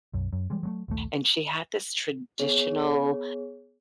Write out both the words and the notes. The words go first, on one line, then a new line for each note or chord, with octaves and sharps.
and she had this traditional,
B1 F#2
F#2
E3 G3 G#3
F#3 G#3 A3
A#1 D#2 A3
B3 G#4 C#5